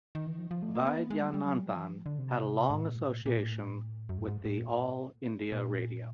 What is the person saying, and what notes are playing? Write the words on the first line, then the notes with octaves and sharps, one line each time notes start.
Vaidyanathan, had a long association with the All India Radio.
D#3
E3
F3
F3
A3
A#3
B3
A#3
G#3
G3
G3
F#3
G3
F#3
E3
F3
D3
C3
G#2
A2
A#2
A2
A#2
A#2
A2
F#2
G#2
G#2
A2
A#2
A#2